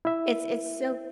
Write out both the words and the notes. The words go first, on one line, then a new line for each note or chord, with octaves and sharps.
it's it's so
E4 E5